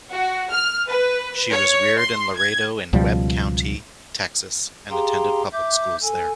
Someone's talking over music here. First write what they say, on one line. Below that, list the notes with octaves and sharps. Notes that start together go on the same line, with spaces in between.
She was reared in Laredo in Webb County, Texas, and attended public schools there.
F#4
F6
B4
C#5
C6
G#6
C#2 B2 F3 G3
G4 G#4 F5 G5 A#5 C6
E5 D6 G6
A4 G#5